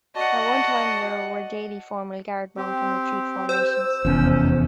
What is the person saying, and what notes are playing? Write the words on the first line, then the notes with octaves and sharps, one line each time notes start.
At one time, there were daily formal "Guard Mount" and "Retreat" formations.
F#4 D5 D#5 F#5 A5
C4 G4
C5 E6
F1 E2 C#4